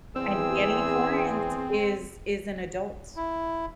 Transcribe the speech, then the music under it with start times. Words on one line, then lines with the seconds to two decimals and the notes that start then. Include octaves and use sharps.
And Danny Torrance is is an adult.
0.16 E2 C4 G#4 E6
3.17 E4